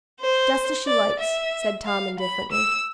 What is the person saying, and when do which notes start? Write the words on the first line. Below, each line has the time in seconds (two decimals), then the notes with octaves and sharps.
"Just as she likes," said Tom indifferently.
0.20 C5
0.86 D5
1.19 E5
1.85 F5
2.19 B5
2.52 E6